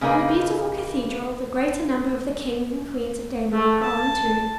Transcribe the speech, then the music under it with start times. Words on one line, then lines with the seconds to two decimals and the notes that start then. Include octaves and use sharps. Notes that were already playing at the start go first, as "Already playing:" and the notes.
In the beautiful cathedral the greater number of the kings and queens of Denmark are interred.
0.01 C#3 A#3 D#4 A#4 B4
3.53 A3
3.83 A5